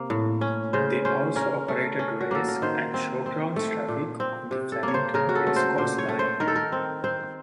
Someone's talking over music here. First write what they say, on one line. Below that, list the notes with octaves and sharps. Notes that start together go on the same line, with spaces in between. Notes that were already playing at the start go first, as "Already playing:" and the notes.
They also operated race and showgrounds traffic on the Flemington Racecourse line.
Already playing: C3 A#3
A2
C#4
C#3 C5
C#4 C5
C#4 A#4
A3
C#4
F#4
A#3 A4
A#4
D#3 C5
C4
C4
A3
A#2
C4
C3
A4
A#3 C#5
C5
C#3 A#4
F#4
A4
A3
C5
A#2 C5
C#5
A3
C5
D#3 A#4
A4
A#4
C4
C4 C5